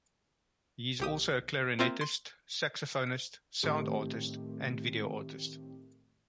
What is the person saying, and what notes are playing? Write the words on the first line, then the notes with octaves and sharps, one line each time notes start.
He is also a clarinetist, saxophonist, sound artist, and video artist.
B1 G4 D#6
A#3 C4 F4 C5 E5
C6
A2 D#3 A3 C4 G4